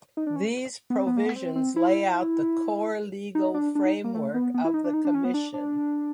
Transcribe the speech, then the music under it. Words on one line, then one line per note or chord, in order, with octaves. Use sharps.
These provisions lay out the core legal framework of the commission.
D#4
D4
C#4
B3
C4
B3
A#3
B3
C4
C4
E4
D#4
D4
D4
D#4
A#3
A3
B3
B3
E4
D#4
D4
D#4
D4
C#4
B3
D4
D4